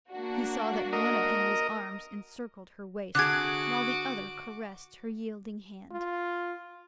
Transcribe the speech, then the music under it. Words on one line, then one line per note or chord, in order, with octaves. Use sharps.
He saw that one of Henry's arms encircled her waist, while the other caressed her yielding hand.
A#3 D4 F#4
A#4 D#5
D3 F#4 G#4 D6 F#6 G#6
F4